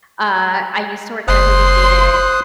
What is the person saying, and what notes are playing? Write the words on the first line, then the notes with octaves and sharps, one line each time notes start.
uh, I used to work in a movie theater,
F#1 C5 C6 D#6 F#6